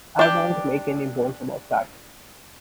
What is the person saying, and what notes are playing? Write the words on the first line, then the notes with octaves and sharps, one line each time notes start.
I won't make any bones about that.
D4 G4